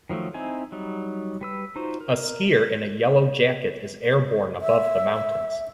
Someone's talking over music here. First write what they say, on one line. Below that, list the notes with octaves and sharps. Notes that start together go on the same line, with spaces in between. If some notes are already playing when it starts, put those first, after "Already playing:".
A skier in a yellow jacket is airborne above the mountains.
D#3 F3 F#3 A3
C4 D#4 E4 G#5
F#3 G3 D#4
G3 B4 E6
D#4 F4 F#4 C5
A#4
E5